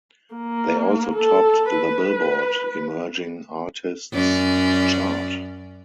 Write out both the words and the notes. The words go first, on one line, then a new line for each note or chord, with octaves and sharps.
They also topped the "Billboard" Emerging Artists Chart.
A#3
A4
B4
F#2 C#4 D5